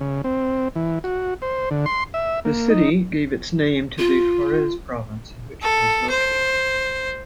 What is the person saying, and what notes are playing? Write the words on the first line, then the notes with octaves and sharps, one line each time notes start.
The city gave its name to the Forez province in which it is located.
C#3
C4
E3
F#4
C5
D3
C6
E5
A#3
D#4
F4
A4
C5